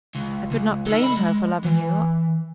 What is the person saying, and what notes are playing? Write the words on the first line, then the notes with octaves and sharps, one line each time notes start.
I could not blame her for loving you.
C#2
C#2
D#4 A4
D#5 B5
G#3
E3